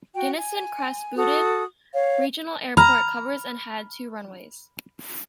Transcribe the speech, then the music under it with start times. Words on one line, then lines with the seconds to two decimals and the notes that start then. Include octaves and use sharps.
Gunnison-Crested Butte Regional Airport covers and had two runways.
0.14 F#4 G5
0.38 G#5
1.16 F#4 A4 D#6
1.93 C#5 F5
2.77 A#5 B5 F6